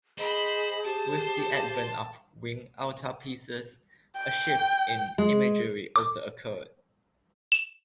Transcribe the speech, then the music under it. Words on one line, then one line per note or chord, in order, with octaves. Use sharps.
With the advent of winged altarpieces, a shift in imagery also occurred.
G#4 C5 D#5 B5
G4 A5
G5
G#3
D6
E7